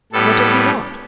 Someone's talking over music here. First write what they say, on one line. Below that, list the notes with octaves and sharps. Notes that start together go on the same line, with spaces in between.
"What does he want?"
A2 G3 B3 A4